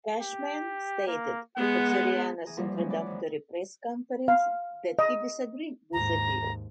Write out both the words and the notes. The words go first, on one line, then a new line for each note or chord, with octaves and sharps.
Cashman stated at Soriano's introductory press conference that he disagreed with the deal.
G4
A#3
G#3 B3 F#5
E3 B3 G#4 A#5
E2 F3 G3 A#3 A#4 A#5
E3 F#3 G#3 A#3 C#4
D5 F#5 G#5 B5 C#6 D6
F2 D#3
F5
D#5
D#2 G#2 A#5